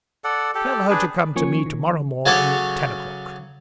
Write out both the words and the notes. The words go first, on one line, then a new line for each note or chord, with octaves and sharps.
Tell her to come to me to-morrow morning at ten o'clock.
A4 D5 F#5
G4 A4
D4 G#4 B4
F3 A#3 C#4 G#5 C#6
D#3
C#3 F#3 C#4 A4 C#5 D6